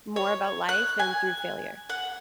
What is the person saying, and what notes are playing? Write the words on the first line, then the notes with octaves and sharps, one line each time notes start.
more about life than through failure.
C#5
F#6
G#5
F#5